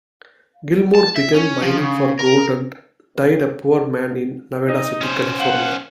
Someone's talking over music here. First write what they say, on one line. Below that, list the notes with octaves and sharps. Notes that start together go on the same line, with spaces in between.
Gilmore began mining for gold and died a poor man in Nevada City, California.
A5
E5
C#4
F3
C#3
A#4
D#4 D#5
C#4 C5
F5 F#5